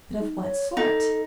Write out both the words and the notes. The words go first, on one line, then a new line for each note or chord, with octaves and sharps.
"But of what sort?"
D#4
C#5
D#4 A4